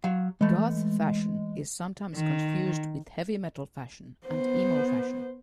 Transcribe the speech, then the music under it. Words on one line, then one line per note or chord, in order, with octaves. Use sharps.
Goth fashion is sometimes confused with heavy metal fashion and emo fashion.
F#3 F5
E3 G#3 A3
D#3
B3 C5